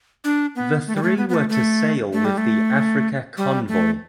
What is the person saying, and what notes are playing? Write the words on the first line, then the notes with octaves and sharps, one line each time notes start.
The three were to sail with the Africa convoy.
D4
B3
A3
G3
A3
B3
B3
A3
A3
A3
G3
A3
G3
A3